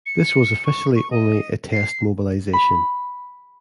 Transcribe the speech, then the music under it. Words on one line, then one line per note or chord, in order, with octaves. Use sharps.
This was officially only a "test mobilisation".
C#7
C#6
C#6
D#5
C7
B5